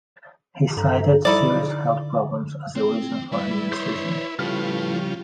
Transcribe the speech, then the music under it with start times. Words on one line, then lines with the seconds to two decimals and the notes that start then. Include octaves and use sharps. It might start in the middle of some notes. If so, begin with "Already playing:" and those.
He cited serious health problems as a reason for his decision.
0.77 G2 A4 A#5
1.25 F3 G3 D#4 E4 A4 D5
1.41 D3
2.76 C4
3.32 G3 E4 B4
3.72 C5 C#5 C6 D#6 G6
4.39 C#3 F3 G3 E4 F4 A4 B4 F6